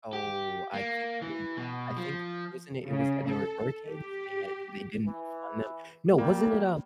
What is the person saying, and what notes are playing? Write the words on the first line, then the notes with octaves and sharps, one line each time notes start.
Oh, I think I remember, I think wasn't it it was that there were hurricanes, and they didn't fund them? No, wasn't it, um
G4
A#3
E3
B2
F3
C#3
A4
G4
E3
A#2 F3 G3 A#3